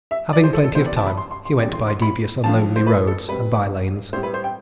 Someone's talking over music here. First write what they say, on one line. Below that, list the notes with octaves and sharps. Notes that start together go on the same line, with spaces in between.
Having plenty of time he went by devious and lonely roads and by-lanes.
E5
D5
C5
A4
A4
C3 E3 B3 C5
D5
A5
B5
C6
C6
C6
E2 D3 G3 C4 D5
C6
C6
B5
G2 F3 C4 A5
C5
B4
A4
B2 G3 C4 B4
A2 G3 C4 C5
B4
C5
G5